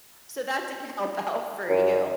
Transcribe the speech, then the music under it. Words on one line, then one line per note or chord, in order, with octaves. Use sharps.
so that did help out for you.
F#2